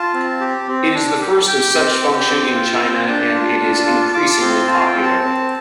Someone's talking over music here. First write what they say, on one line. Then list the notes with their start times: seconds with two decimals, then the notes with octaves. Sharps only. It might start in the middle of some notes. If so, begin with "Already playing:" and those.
It is the first of such function in China, and it is increasingly popular.
Already playing: F4 A5
0.14 C4
0.41 G4
0.68 C4
0.94 D4
1.20 G4
1.47 G4 G5
1.74 C4
2.01 G4
2.28 C4
2.55 F4
2.81 C4
3.07 D4 A5
3.34 F4
3.60 D4
3.87 F4
4.14 F4 D6
4.30 A5
4.40 C4 C6
4.67 F4 A5
4.80 F5
4.86 G5
4.95 C4
5.03 A5
5.21 C4